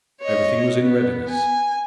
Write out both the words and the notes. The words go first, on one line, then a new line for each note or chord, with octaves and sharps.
Everything was in readiness.
C#5 D#5
B3
G#5